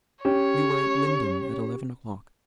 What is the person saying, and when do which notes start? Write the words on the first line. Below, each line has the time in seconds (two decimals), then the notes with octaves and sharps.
We were at Lyndon at eleven o'clock.
0.25 C#4 G4 C#5 G5